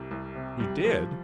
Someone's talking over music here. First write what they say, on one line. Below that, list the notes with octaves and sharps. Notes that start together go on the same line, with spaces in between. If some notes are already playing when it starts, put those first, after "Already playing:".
"You did!"
Already playing: C2 C3 G3
C2
C3
G3
F3